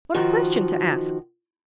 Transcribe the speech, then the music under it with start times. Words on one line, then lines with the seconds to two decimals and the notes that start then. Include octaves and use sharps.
What a question to ask!
0.14 D#3 F3 F#4